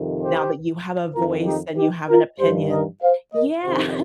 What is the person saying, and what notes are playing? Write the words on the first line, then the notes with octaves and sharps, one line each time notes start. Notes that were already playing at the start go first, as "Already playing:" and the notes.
now that you have a voice, and you have an opinion Yeah,
Already playing: F2 C3 D#3
G4 C5
F2 D#3 F4 A#4
D#4 G4
D#4 G4
F4 A#4
G2 D#3 G4 C5
A#4 D#5
C5 F5
A#4 D#5
F2 C3 D#3 G4 C5